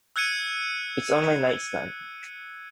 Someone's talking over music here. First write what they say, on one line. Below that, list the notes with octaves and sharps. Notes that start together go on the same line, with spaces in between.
It's on my nightstand.
E6 F#6 G#6 C#7 D#7